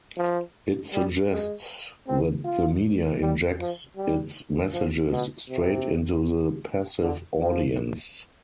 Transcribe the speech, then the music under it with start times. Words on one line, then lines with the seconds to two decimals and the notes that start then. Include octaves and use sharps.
It suggests that the media injects its messages straight into the passive audience.
0.17 F3
0.93 G3
1.30 G#3
2.07 C4
2.45 F4
3.21 G3
3.59 F3
3.97 G3
4.73 F3
5.11 B2
5.49 C3
7.01 D3
7.39 F3